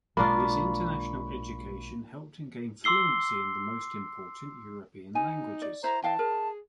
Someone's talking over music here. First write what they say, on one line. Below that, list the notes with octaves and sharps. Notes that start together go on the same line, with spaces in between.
This international education helped him gain fluency in the most important European languages.
B1 G#3 A#3 D4 F4 B5 C#6
C6 D6 E6 C7 G7
D#4 G#5
D5
E4 C5 A#5
E3 D#5 F5 G5 A5
G#4 A#4